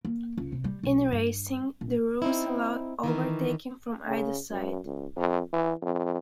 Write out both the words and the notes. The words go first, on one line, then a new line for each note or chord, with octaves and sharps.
In racing, the rules allow overtaking from either side.
A#3
C#2
C3
G3
B1
G2
A#1
C4 D#4 E4
D#3 E3 A#4
C#3
F#2
C#2
F2
E3
F2